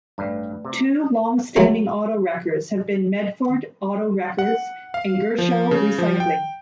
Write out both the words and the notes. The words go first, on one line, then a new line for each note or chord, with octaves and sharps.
Two long-standing auto wreckers have been Medford Auto Wreckers and Gershow Recycling.
A1 G2 A3 B4 D5
C3
F#3 G#3 A3 A#4
F#5
F5
F3
C#3
F3
G5